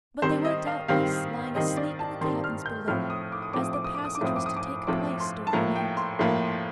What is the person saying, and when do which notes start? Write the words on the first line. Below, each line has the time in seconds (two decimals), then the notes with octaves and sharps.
But they were, doubtless, lying asleep in the cabins below, as the passage was to take place during the night.
0.22 D#3 G3 C4 C5
0.45 D#5
0.67 F5
0.88 D#3 G3 C4 F5
1.55 D#3 G3 C4 D#5
1.77 D5
1.99 A5
2.21 D#3 C6
2.24 G3 C4
2.44 F6
2.66 G6
2.88 A2 F3 C4 F6
3.10 D#6
3.32 D6
3.42 D#6
3.53 A2 F3 C4 D6
3.63 D#6
3.73 D6
3.84 D#6
3.95 D6
4.05 D#6
4.15 D6
4.21 A2 F3 C4 D#6
4.36 D6
4.46 D#6
4.57 D6
4.87 A2 F3 C4 D6
5.20 C6
5.47 A5
5.53 A2 F3 A#3 A#5
5.76 G5
5.97 C6
6.19 A2 F3 A#3